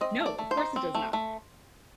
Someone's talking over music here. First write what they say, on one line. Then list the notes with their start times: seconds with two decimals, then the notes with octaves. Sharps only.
No, of course it does not.
0.01 C4 D#5
0.20 A3
0.26 D5
0.38 A3
0.51 C5
0.57 D#4
0.76 C4
0.95 A3
1.13 A3